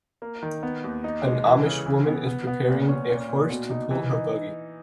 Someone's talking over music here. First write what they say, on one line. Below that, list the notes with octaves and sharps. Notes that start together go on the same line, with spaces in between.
An Amish woman is preparing a horse to pull her buggy.
A#3
D#3
B3
D#2
D#4
G#3
E3
C#3
E3
B3
B3
B3
A#2
C#4
A#2
A#2
B2
D#4
E3
D#4